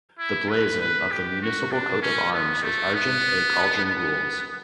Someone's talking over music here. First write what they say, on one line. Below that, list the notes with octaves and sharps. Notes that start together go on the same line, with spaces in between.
The blazon of the municipal coat of arms is Argent a Cauldron Gules.
E4
B4
B4
G4
F#4
D4
C#4
B3
A3
B3
B3